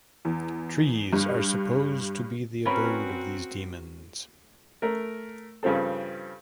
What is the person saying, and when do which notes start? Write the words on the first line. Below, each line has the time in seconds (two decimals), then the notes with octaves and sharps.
Trees are supposed to be the abode of these demons.
0.25 E2
1.13 G2
2.65 C4 C#4 F#4 A#4 B4 C#5 B5
4.82 A3 A#4
5.63 G2 C#3 F3 C4 A4